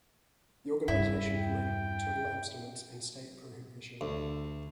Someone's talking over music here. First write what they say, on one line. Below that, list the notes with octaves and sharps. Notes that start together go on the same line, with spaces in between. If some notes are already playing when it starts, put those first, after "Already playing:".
The organization promoted total abstinence and state prohibition.
E2 G2 E4
G5
D2